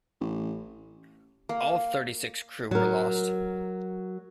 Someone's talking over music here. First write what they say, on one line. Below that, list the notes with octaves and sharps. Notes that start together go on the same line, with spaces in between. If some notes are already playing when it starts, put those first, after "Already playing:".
All thirty-six crew were lost.
A1
A#3
F#3 A#4